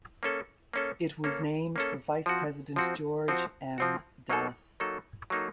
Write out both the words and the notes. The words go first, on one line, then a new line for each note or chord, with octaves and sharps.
It was named for Vice President George M. Dallas.
A#3 C#4 A4
A#3 C#4 A4
A#3 C#4 A4
A#3 C#4 A4
F3 C4 F#4
F3 C4 F#4
F3 C4 F#4
F3 C4 F#4
F#3 A#3 D#4 A4
F#3 A#3 D#4 A4
F#3 A#3 D#4 A4